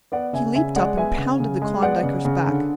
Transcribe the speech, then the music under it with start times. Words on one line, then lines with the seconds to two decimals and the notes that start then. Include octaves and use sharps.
He leaped up and pounded the Klondiker's back.
0.12 B3 D5 F#5
0.33 C#3 E5 G#5
0.55 C#3 E5 G#5
0.76 G#3 D5 F#5
0.97 B3 E5 G#5
1.18 C#3
1.40 C#3
1.62 G#3
1.82 B3 D5 F#5
2.03 C#3
2.25 C#3
2.47 D3